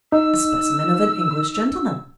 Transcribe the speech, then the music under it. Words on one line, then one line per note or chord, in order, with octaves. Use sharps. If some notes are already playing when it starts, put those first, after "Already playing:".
"A specimen of an English gentleman."
D#4 E6